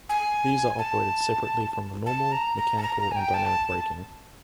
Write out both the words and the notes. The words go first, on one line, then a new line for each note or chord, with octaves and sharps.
These are operated separately from the normal mechanical and dynamic braking.
G#5
A5
A5
A#5
A#5
A5
A#5
A#5
G#5
G5
A5